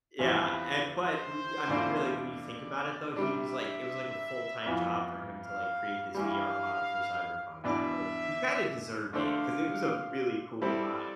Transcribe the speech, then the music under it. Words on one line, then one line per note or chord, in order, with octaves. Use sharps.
Yeah, and, but r I mean, really, when you think about it though, he was, like it was, like, a full-time job for him to, like, create this VR mod for Cyberpunk, so he kinda deserved it, 'cause it was a really cool mod.
E2 C3 F3 C4 B4
C5
E2 B2 A3 D4 F4
D5
C3 G3 D4 E5
F2 E3 B3 F4
F5
G2 E3 G3 F5
E2 B2 B3 D4 E5
D3 A3 D4 A4 C5 F5
G3 C4 E4 A4 C5 D5